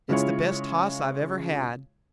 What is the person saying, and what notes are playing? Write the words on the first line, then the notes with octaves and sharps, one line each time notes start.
It's the best hoss I've ever had.'
C#3 G#3 E4 F4 C#5